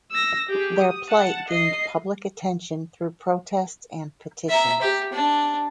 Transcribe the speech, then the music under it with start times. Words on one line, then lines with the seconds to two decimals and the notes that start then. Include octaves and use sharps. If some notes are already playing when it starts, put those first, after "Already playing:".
Their plight gained public attention through protests and petitions.
0.12 E6 A#6
0.49 G4 G#4
0.80 D#6
1.10 F#5 A5
1.49 D#5 C7
4.49 E5 A#5
4.81 G4
5.13 D4